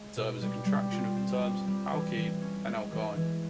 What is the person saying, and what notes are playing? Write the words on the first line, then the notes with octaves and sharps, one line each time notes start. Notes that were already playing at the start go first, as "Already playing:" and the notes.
The term is a contraction of the terms alkene and alkyne.
Already playing: G#3
B2
G3
G3
F4
C4
G3
G3
E3
E3
C#4
G#3
E3
E3